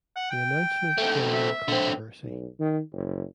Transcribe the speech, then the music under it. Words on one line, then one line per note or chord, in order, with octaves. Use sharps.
The announcement generated controversy.
F#5
G5
A3 C4
E5
D3 C4
B1
D#3
F#1